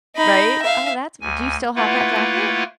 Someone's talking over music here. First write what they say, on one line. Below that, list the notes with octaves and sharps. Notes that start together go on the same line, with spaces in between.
Right? Oh, that's do you still have that jacket?
D#4 B5
E5 F5
D2 G#5
A3 A#3 E4 F4 B4 F#5